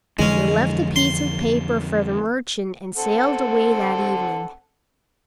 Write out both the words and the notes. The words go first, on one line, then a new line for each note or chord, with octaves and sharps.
They left the piece of paper for the merchant and sailed away that evening.
F2 D3 E3 G#3 C#4
C6
C4 A4 F#5